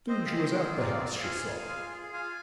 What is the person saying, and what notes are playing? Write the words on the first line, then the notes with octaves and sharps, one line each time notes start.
Soon she was at the house she sought.
C4 C5 D#5
F5
G#4 C5 D#5
F4
C4 A#4 D5
G#4
F4 F5 G#5
G#4
F4
G#4
F4 F5 G#5